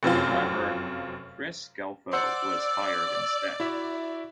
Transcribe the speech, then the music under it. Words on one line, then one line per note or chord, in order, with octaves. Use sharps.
However, Chris Scelfo was hired instead.
F1 F#2 C4 F4
C5 D5 F#5 E6 C#7
E4 F#4 E5